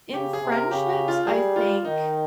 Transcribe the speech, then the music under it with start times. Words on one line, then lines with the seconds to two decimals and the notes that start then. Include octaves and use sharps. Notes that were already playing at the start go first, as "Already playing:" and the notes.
in friendships, I think
0.13 C#3 G4
0.33 G#4
0.42 C3
0.52 A#4
0.71 C#3 G4
0.90 G4
1.08 F4
1.27 G3 G#4
1.56 F4
1.85 D#3 D#4